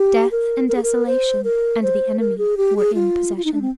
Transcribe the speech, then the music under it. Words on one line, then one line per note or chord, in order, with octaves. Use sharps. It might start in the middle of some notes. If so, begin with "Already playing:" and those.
Death and desolation and the enemy were in possession.
Already playing: G4
A#4
A#4
G#4
A#4
C5
A#4
C5
A#4
G#4
G4
G#4
F4
F4
D#4
D4
C4